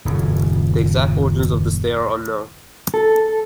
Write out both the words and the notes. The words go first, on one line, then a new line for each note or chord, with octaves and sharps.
The exact origins of this day are unknown.
D#1 F#2 C#3
A4